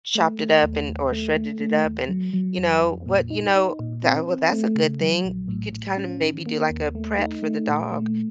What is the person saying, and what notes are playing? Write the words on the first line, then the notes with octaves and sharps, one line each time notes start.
chopped it up and or shredded it up and you know, what you know that well, that's a good thing. You could kinda maybe do, like, a prep for the dog
A3
A3
D#2
D#2
A3
A3
A3
D#2
F#3
F#3
F2
F2
A#2
D#4
D#4
A#2
C4
C4
A3
C#3
F#3
A#1
A2
A2
C#4
D#3
A#3
D#2
A3
D#4
A3
A#2
A3